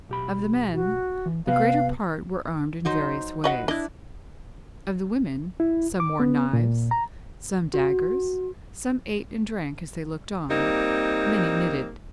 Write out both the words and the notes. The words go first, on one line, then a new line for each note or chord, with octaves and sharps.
Of the men, the greater part were armed in various ways; of the women, some wore knives, some daggers, some ate and drank as they looked on, many knitted.
B1 G4 B5
F#4
E3
C3 B3 B4 F5
F#3 D#4 C5
F#4 B4 D#5 F#5
D4 E4 D#5
E4
D6
B3
A#2
A#5
F#4
G3 A#3 C4 D#4